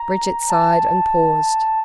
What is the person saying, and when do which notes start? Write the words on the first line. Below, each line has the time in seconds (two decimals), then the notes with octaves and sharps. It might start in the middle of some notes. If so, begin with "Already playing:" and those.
Bridget sighed and paused.
Already playing: A#5
0.50 A5